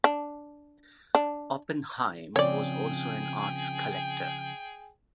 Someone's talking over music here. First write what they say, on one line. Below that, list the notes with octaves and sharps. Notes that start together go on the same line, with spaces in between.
Oppenheim was also an arts collector.
D4
D4
C#3 F3 C4 G#4 C#5 D5 G5